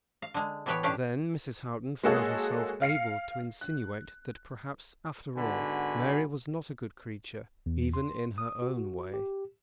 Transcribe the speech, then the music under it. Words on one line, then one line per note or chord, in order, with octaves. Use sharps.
Then Mrs. Houghton found herself able to insinuate that perhaps, after all, Mary was not a good creature, even in her own way.
F5
D3 G#3
A2 E3 B3 B4 C#5 G5
A3 C#4 D4 G4 F5
G#3 A#3 F#4 G#4 A4 C#5
F5 C7 C#7
F#6
G#2 D3 B3 F#4 G#5 B5
E2
C6
D#6
F#4
G4